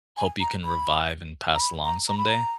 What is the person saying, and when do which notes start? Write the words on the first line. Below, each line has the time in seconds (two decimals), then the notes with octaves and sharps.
hope you can revive and pass along someday?
0.17 G#5
0.40 A#5
0.64 B5
1.55 A#5
1.60 B5
1.84 A#5
2.08 A#5
2.18 B5
2.29 A#5